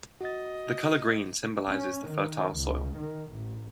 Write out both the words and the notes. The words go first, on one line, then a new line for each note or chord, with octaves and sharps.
The colour green symbolises the fertile soil.
F#4 D#5 A6
C#4
D#3
C#2
D#3
A1